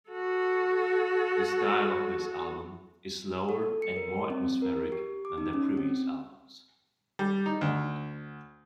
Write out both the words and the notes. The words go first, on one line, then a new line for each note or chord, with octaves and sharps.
The style of this album is slower and more atmospheric than their previous albums.
F#4 A4
A4
C#7
A#4
C4
A#4
G4
D6
D#4
C#4
C4
G3
D#4
D2